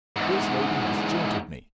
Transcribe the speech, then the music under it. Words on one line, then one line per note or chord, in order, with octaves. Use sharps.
"This lady has jilted me."
E2 G#2